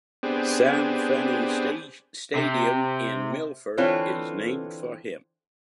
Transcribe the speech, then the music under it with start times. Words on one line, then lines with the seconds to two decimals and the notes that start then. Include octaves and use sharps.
Sam Fanning stadium in Milford is named for him.
0.23 B3 C4 D4 G4 G#4
2.35 C3
3.77 D3 E3 C4 F4 A4 C#5